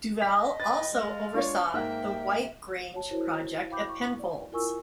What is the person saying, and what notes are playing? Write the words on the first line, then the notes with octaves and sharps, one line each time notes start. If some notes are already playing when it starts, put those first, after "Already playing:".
Duval also oversaw the 'White Grange' project at Penfolds.
D#5 B6
B4 G5 A6
G#3 F5
D4 F4 C#5 C#6
G#2 A#3 E5 G5
C#5 A5
E4 F#4 A#4 C5 C#5
F5 G5 B5 D6 G6
C#6
D5
E4 F4 A#4 G#5 C#6 E6